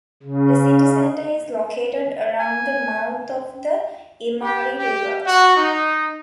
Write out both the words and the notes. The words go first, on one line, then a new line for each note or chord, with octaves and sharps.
The city center is located around the mouth of the Imari River.
C#3
G#5
G4
G4
F#4
D#4